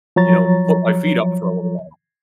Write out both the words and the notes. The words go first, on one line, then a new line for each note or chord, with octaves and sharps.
you know, put my feet up for a little while.
F3 F#3 C#5 A#5 A6